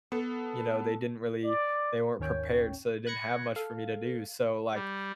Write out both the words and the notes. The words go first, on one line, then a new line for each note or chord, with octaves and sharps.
you know, they didn't really they weren't prepared, so they didn't have much for me to do, so, like
B3 A4
D5
G#1 D#2 D#3 C#4 C#5 G5
B5 F#6 G#6 A#6 C#7
A4 F5
G3